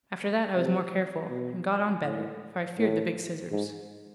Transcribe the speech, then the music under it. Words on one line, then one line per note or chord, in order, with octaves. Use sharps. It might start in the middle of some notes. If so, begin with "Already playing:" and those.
After that I was more careful, and got on better, for I feared the big scissors.
C3
B2
A2
A2
G#2